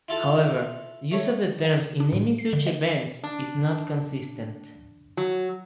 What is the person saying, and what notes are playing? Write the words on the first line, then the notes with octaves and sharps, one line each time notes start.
However, use of the terms in naming such events is not consistent.
E4 F4 A4 A5
A3 C#5
D#5
D4
A2
C7
D3
D#5
D4
F#3